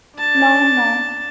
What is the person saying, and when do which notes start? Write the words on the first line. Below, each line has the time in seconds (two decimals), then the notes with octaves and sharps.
Law no.
0.19 D4 A5